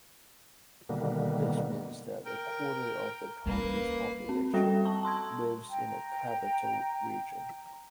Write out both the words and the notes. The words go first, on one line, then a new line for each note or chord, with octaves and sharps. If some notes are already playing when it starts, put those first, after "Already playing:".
This means that a quarter of the country’s population lives in the capital region.
B2 D3 D#3 G3 A#3 B3
A#4 G5
G3 A#3 C#4 B4
C4
G3 F#4 A4 G5 A#5 A#6
A5 A#5 C#6
A5 C6 E6 G#6
G5 A#5